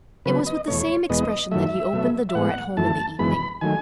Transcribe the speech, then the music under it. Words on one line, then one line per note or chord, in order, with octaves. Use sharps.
It was with the same expression that he opened the door at home in the evening.
C#3 F#3 B3 B4
D#5
E2 B2 A3 C#5
E2 B2 G#3 B3 D#5
F#2 D#3 F#3 A3 E5
B2 F#3 A3
E5
A2 G#3 B3 F#5
F#2 E3 A3 A5
F#2 E3 G#3 B3 B5
D#3 F#3 A3 G#5